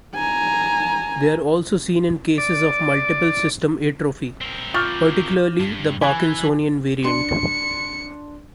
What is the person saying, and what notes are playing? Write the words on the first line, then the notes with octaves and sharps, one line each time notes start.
They are also seen in cases of multiple system atrophy, particularly the parkinsonian variant.
G#5 A#5
D5
C4 A#4
F4 C#6 D6 F6 G6 A6
G2
E3 G#5 B5 F#6 G#6
D4 C6 C#7